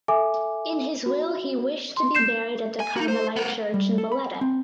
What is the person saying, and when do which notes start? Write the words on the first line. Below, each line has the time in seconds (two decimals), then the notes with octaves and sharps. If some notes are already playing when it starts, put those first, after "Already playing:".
In his will he wished to be buried at the Carmelite church in Valletta.
0.08 A4 E5 G#5 D6
1.06 F#4
1.97 C6
2.15 G6 C7 E7
2.80 G#5
2.97 D#4 F#4
3.08 C5
3.36 B3 A#4
3.74 G3
3.98 A4
4.12 B5
4.41 C4